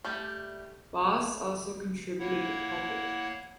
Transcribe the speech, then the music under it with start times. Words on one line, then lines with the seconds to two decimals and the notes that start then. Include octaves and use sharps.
Bos also contributed the pulpit.
0.04 G3 A3 G4
2.19 A#3 E4 C#5 F#5